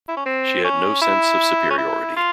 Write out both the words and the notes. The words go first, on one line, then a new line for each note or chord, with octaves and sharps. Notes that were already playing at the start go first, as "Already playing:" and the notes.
She had no sense of superiority.
E4
C#4
C4
C#4
E4
C#4
E4
F4